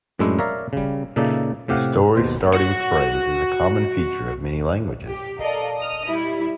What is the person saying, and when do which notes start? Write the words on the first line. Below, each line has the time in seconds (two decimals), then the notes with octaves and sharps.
The "story-starting phrase" is a common feature of many languages.
0.19 F#2 A2 G#3 A3 D4 E4
0.39 A#4 C#5 D5 E5 F5 A#5
0.73 C#3 G3
1.16 A#2 C#3 D#4 A4 D5 E5
1.68 A2 C3 G4 F5 F#5
2.16 D#2 B2 C5
2.54 F#4 F#5
5.08 G4
5.41 A4 A#4 D5 D#5 F5
5.77 D#5 D#6 F6
6.08 G3 E4